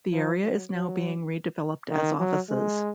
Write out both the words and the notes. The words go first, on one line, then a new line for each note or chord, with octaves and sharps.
The area is now being redeveloped as offices.
F3
F#3
F#3
D#3
F#3
G#3